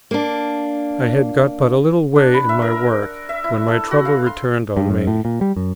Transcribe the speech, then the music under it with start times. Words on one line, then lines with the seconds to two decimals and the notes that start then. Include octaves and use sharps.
I had got but a little way in my work, when my trouble returned on me.
0.11 A#3 D4
2.16 D4
2.34 B5
2.49 E5
2.62 A#4
3.02 F#5
3.29 E5
3.44 E4
3.68 A4
3.91 F#4
4.05 F5
4.26 C6
4.77 G2
4.90 F#2
5.07 A2
5.25 A#2
5.41 G3
5.56 F#2